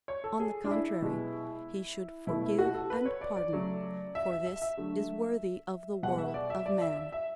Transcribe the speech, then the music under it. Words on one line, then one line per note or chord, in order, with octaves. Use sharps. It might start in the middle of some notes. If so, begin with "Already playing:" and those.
On the contrary, he should forgive and pardon, for this is worthy of the world of man.
C#5
A4
G#4
D4
E4
B2 G#3
B2 A3 E4
E4
F#4
A4
B4
C#5
D5
D5
C#3 F#3 A3
E5
E5
E5
E5
D3 F#3 A3
B2 G#3 F#5
E5
D5
E5
D5
E5
E5
E5